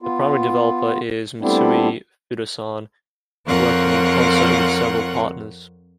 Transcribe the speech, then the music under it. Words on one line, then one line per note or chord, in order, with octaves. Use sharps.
The primary developer is Mitsui Fudosan, working in concert with several partners.
B3 F4
G3 A3 B3 C4 D4 E4
F2 C4 F4 A#4 C#5 F#5